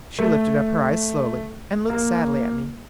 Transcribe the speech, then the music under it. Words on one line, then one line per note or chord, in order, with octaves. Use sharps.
She lifted up her eyes slowly, and looked sadly at me.
A3
A#3